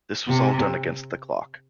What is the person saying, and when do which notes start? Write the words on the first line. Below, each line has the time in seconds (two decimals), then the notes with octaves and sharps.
This was all done against the clock.
0.28 C3